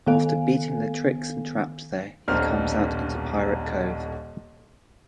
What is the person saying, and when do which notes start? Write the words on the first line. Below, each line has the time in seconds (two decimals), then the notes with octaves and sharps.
After beating the tricks and traps there, he comes out into Pirate Cove.
0.07 D#3 B3 A4 F5 G#5
2.28 D#1 B1 C4 D4 A#4 F6